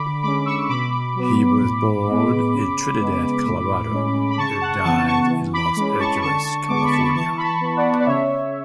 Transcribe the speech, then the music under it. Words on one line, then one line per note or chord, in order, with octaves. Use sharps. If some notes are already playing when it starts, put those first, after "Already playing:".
He was born in Trinidad, Colorado and died in Los Angeles, California.
Already playing: D3 B5 D6
G#3 C#4 B5 D6
C#6 E6
B2 B5 D6
F#3 B3
A2
G#3 B3
C#3
G#3 B3
A2
G#3 C#4
B5
C#3 A5 C#6
F#5 A5
E3 B3 A5 C#6
A5 C#6
E3
B5 D6
G#3 C#4 B5 D6
A5 C#6
D3 A5 C#6
G#3 B3 D6
C#6
B5
A5 C#6
E3 A5 C#6
B5
A5 C#6
B3
D5 F#5
D5
C#3 C#5 E5